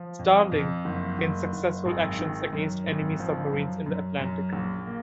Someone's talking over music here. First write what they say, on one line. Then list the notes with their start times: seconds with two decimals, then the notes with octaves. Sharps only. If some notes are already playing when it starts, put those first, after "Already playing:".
"Starling" in successful actions against Enemy submarines in the Atlantic.
Already playing: F3
0.19 F2
0.52 F2
0.85 F#1
1.19 F#1
1.53 F#1
1.85 G#1
2.19 D#3
2.53 F#2
2.87 G#1
3.20 F3
3.52 F#2
3.86 F#2
4.19 F#2
4.53 A#1
4.87 A#3